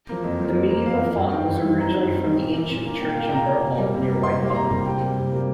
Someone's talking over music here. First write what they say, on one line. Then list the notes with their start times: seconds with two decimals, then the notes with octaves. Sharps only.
The medieval font was originally from the ancient church at Burholme near Whitewell.
0.09 F3 A#3
0.24 F2
0.40 F3 A#3
0.55 F2
0.70 F3 A#3
0.86 F2 F5
1.01 F3 A#3
1.16 G2 F5
1.32 D#3 G3 C4 G5
1.48 G2
1.62 D#3 G3 C4
1.78 G2 A#5
1.93 D#3 G3 C4
2.08 G2
2.24 D#3 G3 C4
2.40 A#2
2.54 A#3
2.70 A#2
2.85 A#3
3.01 A#2 G5
3.11 F5
3.16 A#3
3.22 F5
3.27 G5
3.32 A#2 A#5
3.48 A#3
3.63 C3
3.78 G3 A#3
3.94 C3
4.08 G3 A#3
4.23 C3 C6
4.39 G3 A#3
4.50 C6
4.55 C3 A#5
4.70 G3 A#3
4.85 C3 G5
5.01 G3 A#3
5.16 C3
5.32 G3 A#3